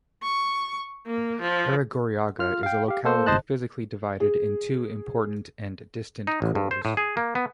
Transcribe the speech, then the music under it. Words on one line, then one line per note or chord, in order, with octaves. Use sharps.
Arrigorriaga is a locality physically divided in two important and distant cores.
C#6
A#3
F3
F4 F6
F5 G5
G4 F5
A#3 A4 C5
G1 C3 C5 D#5 A5 F#6
G#4
D#4
A1
G2
C5
A2
G#4
A#3
B3